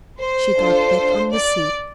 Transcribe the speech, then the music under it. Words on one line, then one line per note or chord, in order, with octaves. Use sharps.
She dropped back on the seat.
C5
D4 F4 A4
D5